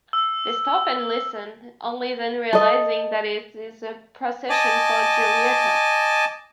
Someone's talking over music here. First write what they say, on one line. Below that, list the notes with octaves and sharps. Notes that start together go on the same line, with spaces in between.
They stop and listen, only then realising that it a procession for Giulietta.
E6
A4 D#5
D#5 G#5 A5 D6